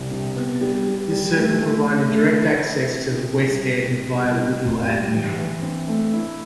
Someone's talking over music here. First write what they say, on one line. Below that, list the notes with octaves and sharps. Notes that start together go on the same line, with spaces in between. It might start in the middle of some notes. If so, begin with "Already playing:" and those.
This circle provided direct access to the West End via Woodville Avenue.
Already playing: C2
C3
B3
G3
G3
G3
A3
A3
A3
A3
E4
E4
C4
C3
G3
C3
C3
G3
C4
A2
G3
E3
E3
C4
A3
E4